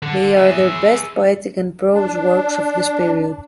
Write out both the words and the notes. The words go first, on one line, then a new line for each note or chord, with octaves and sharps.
They are their best poetic and prose works of this period.
D3
G#4 E5
D4